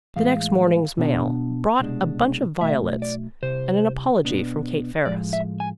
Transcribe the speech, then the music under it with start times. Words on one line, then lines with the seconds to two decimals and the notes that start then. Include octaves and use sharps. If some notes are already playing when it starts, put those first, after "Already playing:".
The next morning's mail brought a bunch of violets and an apology from Kate Ferris.
0.16 A2 E3 G#3 F5
0.98 B2 B3 D4
1.79 C2 B2 G#3 D4
2.61 B1 B2 A3 E5
3.02 D5
3.43 C2 C3 C5
4.25 B2 B3 D4
5.05 A2 F3 G#3 D5
5.33 E5
5.60 G#5